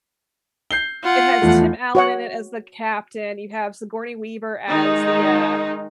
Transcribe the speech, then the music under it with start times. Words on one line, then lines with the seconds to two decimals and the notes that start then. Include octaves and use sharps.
it has Tim Allen in it as the captain, you have Sigourney Weaver as the, uh,
0.71 G6 C7 G7
1.03 F4 F#5
1.42 E2 F3 A3
1.95 F#4 C#5 F#5
4.69 D#3 G#3 D#4